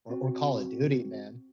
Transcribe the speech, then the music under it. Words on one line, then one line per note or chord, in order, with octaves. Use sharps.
or or Call of Duty, man.
C4 F#4